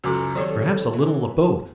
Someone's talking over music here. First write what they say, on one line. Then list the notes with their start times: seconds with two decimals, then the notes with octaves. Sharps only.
Perhaps a little of both.
0.04 C#2 F#2 C#4 F#4 A4 D6
0.35 D#3 F#3 G3 C4 E4 A4 C#5
0.93 E3